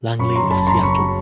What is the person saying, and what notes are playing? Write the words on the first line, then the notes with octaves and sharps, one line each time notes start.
Langley of Seattle.
F#2 B5 C#6
F#3 A#5 C6
F#1 A5 B5
C#3 A#5 C6
F#2 B5 C#6
F#3